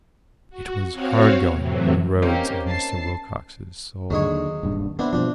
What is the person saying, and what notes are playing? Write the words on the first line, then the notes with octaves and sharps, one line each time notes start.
It was hard-going in the roads of Mr. Wilcox's soul.
F#4
C4 F#4 C#5 F5
A2 C3 E3 F#3
A#3 C4 C#4 D#4 G4
A5 C7
D#2 D3 F#3 G#3 C#5
D#1 G2
B3 C4 D4 E4
G2 B2 F3 C4 D4